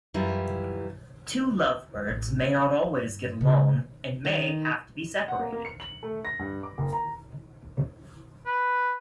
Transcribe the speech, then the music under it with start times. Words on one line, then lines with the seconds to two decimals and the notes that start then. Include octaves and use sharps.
Two lovebirds may not always get along, and may have to be separated.
0.14 F#2 E3 G3 E4 F4
1.94 F2
2.09 A1
2.39 B3
2.84 G2
3.41 C#3
4.25 D#3
5.28 F#5
5.39 A#3
5.52 A#3
5.65 C#7
5.80 F#7
6.03 A3
6.25 A#6
6.39 G2
6.63 D6
6.78 F#1
6.93 A#5
8.46 B4